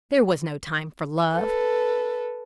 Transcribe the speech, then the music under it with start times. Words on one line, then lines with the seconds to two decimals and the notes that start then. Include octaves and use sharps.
There was no time for love.
1.36 A4 B4